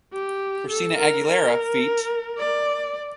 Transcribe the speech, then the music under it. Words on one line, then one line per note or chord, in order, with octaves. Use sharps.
Christina Aguilera feat.
G4
A4
A#4
A#4
D5